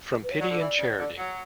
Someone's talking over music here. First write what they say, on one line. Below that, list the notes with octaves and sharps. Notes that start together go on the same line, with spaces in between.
From pity and charity!
B4
C#5
F#3 D5
D3
E3
C#3
D3
F#3